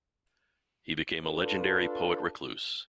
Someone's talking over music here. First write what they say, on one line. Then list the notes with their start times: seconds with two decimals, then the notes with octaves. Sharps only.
He became a legendary poet-recluse.
1.24 D4 F4 A4 B4